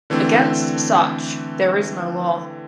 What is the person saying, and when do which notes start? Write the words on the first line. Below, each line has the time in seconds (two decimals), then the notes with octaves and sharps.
Against such there is no law.
0.10 D3 E3 A3 C4 A4